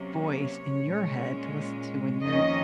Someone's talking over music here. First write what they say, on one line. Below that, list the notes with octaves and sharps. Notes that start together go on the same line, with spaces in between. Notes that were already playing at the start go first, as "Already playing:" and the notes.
voice in your head to listen to when you're
Already playing: C3 F#3 A#3 C#4
C#5
A#2 G#3 C#4
F2 D#3 A#3 C#4 D#5